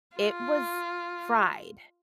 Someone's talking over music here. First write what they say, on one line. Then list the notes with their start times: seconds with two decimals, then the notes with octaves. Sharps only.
it was fried.
0.17 F4